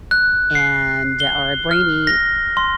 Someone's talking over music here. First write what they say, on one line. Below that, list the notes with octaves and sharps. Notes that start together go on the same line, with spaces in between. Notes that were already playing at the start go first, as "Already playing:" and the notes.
and or Brainy,
F#6
C7
G7
F6
A#6
C6